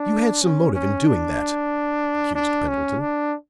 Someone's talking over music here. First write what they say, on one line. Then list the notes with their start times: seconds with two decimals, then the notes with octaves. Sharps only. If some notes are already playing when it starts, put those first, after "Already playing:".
"You had some motive in doing that," accused Pendleton.
Already playing: D4
0.42 C#4
0.74 C#4
1.06 D4
2.36 D4
2.68 C#4
3.01 D4